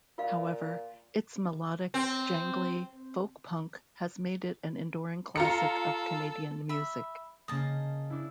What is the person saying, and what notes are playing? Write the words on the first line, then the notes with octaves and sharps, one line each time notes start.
However, its melodic, jangly folk-punk has made it an enduring classic of Canadian music.
A#2 F4 F5
C4
F4 A4 A#5 C#7
E5 B5
C#3 A#3 D#5 A5
D4 E4